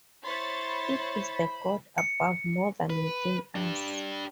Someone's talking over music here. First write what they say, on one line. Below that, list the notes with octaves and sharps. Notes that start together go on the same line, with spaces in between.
It is the God above, more than within, us.
E4 C5 C#5 B5 C6 A6
C#7
B4
D4 G4